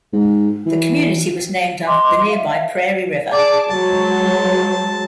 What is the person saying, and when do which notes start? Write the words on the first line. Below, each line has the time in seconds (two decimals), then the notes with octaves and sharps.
The community was named after the nearby Prairie River.
0.13 G#2
0.66 E3
1.87 D#5 C6 D6
2.29 E5 F5
3.32 G#4 D5 A5 D6
3.69 F#3 G#3 C5 A5